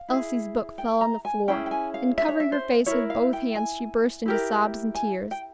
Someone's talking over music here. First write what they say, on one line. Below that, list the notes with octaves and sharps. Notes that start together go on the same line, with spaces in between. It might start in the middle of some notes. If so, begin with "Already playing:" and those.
Elsie's book fell on the floor, and, covering her face with both hands, she burst into sobs and tears.
Already playing: F5
E4 G#4
G5
A#5
G#5
C#4 E4 G#4 G5
G5
G#5
F5
E5
C#5
E5
C5
E4 A#4 C#5
F5
G5
G#5
E4 G4 A#4
G#5
G5